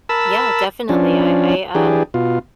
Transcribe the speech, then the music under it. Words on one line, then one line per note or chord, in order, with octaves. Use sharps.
Yeah. Definitely. I I, um,
A#4 A5 B5 E6
F3 C#4 D4
E3 D4 G4 G#4
B2 F4